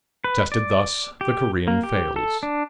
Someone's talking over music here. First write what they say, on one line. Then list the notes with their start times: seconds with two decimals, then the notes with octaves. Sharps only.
Tested thus, the Korean fails.
0.24 B4
0.52 D5
1.21 G4
1.68 A#3
1.83 G4
2.16 A4
2.43 D4